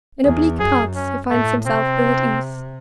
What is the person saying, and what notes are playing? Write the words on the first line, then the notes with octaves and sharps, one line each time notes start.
In oblique paths he finds himself ill at ease.
E2 G#4
F#2 G#4
C#4
A2 A3
C3 C4